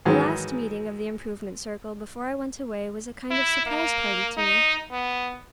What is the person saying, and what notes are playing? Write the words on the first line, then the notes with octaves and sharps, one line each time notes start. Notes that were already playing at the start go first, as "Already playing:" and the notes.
The last meeting of the Improvement Circle before I went away was a kind of surprise party to me.
G#2 D#3 E3 F#3 G#3
E4
A#3
D#4
B3